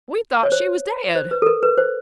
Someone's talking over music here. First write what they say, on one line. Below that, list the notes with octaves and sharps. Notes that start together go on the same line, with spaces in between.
We thought she was dead.
C#5
C5
C5
B4
A4
A#4
B4
C5